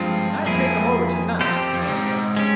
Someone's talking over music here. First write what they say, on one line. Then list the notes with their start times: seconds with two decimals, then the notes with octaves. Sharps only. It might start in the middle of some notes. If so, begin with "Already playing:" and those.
"I'd take 'em over tonight," answered Alf.
Already playing: G2 F3 G#3 C4 F4
0.46 F2 A#3 E4 G#4
1.41 F2 C4 G4 C5
1.73 F2
1.88 G#2
2.37 G#3 C#4 G4